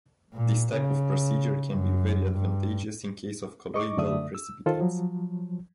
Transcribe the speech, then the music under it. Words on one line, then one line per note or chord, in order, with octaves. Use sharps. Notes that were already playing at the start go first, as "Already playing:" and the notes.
This type of procedure can be very advantageous in case of colloidal precipitates.
A#2
C#3
F#2
G2
D#5 C#6 D6
F#2 D3 A3 D5 E5 D#6
E6
D#3 F4 A4 C5
F3 F#3